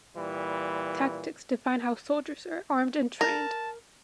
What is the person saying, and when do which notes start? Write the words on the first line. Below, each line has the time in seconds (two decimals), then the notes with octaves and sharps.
Tactics define how soldiers are armed and trained.
0.16 A#2 E3 G3
3.21 A#4 A5